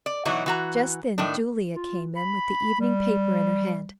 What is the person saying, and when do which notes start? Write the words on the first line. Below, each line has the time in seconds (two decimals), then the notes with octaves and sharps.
Just then Julia came in with the evening paper in her hand.
0.06 D5
0.25 B2 E3 F#3 D#4 E4 F#4
0.46 E3 F#4 A#5
1.18 A2 D#3 D4
1.75 F4
2.16 B5
2.80 G3